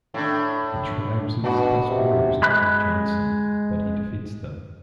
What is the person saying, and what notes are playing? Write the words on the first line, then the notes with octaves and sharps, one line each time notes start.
The tribe sends its best warriors to kill Johnson, but he defeats them.
A2 D4
B2 D4 F#4
C3
G#3 B5 F#6